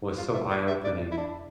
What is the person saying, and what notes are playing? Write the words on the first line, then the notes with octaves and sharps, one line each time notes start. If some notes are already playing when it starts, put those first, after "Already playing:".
was so eye-opening,
F4
E5
D5
E5
D5
E4
D4